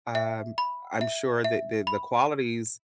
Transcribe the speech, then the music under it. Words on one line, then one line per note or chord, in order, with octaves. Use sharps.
um, I'm sure that that the qualities,
E5
B5
E5
E5
B5